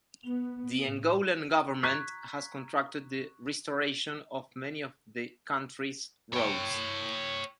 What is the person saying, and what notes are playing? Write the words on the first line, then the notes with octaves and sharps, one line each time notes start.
The Angolan government has contracted the restoration of many of the country's roads.
B3
A2
A#5 C#6 F#6 G#6 B6
C#5 G5